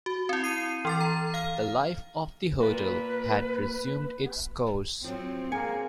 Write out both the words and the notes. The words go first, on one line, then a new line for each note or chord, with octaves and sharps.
The life of the hotel had resumed its course.
F#4
C4 E4
C7 D#7
E3 A4 A6
A#5
F5 F6
A#3 F4 B4
F3 F#3 C4
A#3 G#4 G#5 C#7